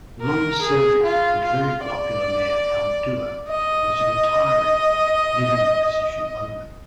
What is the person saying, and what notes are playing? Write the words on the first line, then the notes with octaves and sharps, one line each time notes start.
Long serving and very popular mayor Al Duerr was retiring leaving the position open.
A#4
G#4
F4
F4
D5
D#5